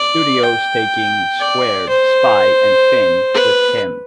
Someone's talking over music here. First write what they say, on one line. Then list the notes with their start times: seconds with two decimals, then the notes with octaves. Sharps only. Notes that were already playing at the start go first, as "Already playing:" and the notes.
Studios, taking "Squared", "Spy", and "Finn" with him.
Already playing: D5
0.44 G5
1.40 D5
1.89 C5
3.34 B4